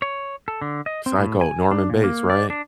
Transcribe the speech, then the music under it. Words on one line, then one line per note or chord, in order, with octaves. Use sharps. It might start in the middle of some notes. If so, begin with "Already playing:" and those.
Psycho, Norman Bates right?
C#5
A4
D3
D#5
C4
A2
G#5
D4
A#2
A#3
D5
D4